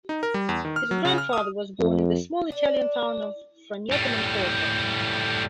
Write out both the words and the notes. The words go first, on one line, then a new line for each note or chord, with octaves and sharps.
His grandfather was born in the small Italian town of Fragneto Monforte.
D#4
A#4
G3
E2
D#3
F6
F#3
C#3
F6
D#6
F2
D4
A2 G3